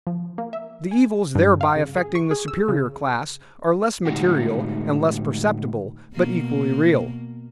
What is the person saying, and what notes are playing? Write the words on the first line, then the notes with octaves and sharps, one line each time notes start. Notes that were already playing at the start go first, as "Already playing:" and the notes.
The evils thereby affecting the superior class are less material and less perceptible, but equally real.
F3
A#3
E5
G#5
G2
F5
C#3
G#4
C#6
G#4
E6
C#3
A2 D3 G#3 D#4 F#4 G4
B2 A#3